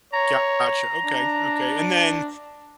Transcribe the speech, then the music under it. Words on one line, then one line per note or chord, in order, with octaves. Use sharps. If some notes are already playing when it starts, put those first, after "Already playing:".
Gotcha, okay, okay, and then
C#5 A#5
D4